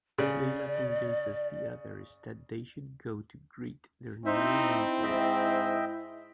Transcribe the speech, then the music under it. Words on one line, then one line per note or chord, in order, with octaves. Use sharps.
Leela convinces the others that they should go to greet their new neighbors.
C#3 D5
C4 D#4 E4 C5 E5
G#2 D#5 E5 G5